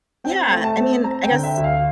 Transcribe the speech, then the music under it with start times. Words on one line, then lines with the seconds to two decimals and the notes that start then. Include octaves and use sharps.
yeah, I mean, I guess
0.24 C4 G5
0.51 A3
0.64 A5
0.77 C4
1.04 C4 A#5
1.24 G5
1.31 D3
1.43 E5
1.57 D2
1.64 F5